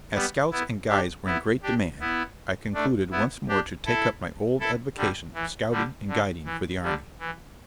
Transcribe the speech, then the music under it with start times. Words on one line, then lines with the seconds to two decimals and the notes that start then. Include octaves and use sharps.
As scouts and guides were in great demand, I concluded once more to take up my old avocation of scouting and guiding for the army.
0.14 G3 B3
0.51 B3 E4
0.88 D4 G4
1.26 B3 E4
1.63 D4 G4
2.00 B3 E4
2.74 A3 D4
3.12 B3 E4
3.48 D4 G4
3.86 E4 A4
4.60 E4 A4
4.96 D3 G3
5.34 E3
5.71 D3 G3
6.08 D3
6.45 E3
6.83 D3 G3
7.19 E3